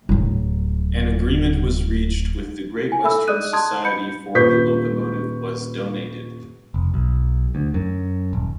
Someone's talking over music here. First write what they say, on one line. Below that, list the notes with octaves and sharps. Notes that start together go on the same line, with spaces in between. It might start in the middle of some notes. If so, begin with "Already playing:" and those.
An agreement was reached with the Great Western Society for the locomotive was donated.
D1 F#3
G#5
A4 E5 B5 E6
G#4 D5 D#5 D#6 F#6 D#7
A5 C6 D#6 F#6 G#6
B5 G6 C#7
D#1 F4 B4 C#6 G6 B6
F1
B1
D2
F#2
D#1